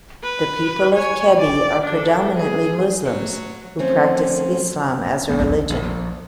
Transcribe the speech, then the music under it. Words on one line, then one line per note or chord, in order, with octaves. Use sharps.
The people of Kebbi are predominantly Muslims who practice Islam as a religion.
B4
C#5 G#5
D5
D4 A4
G#4
F#3 A3
F3 A3 C4 C#4
A#1 B3
A#1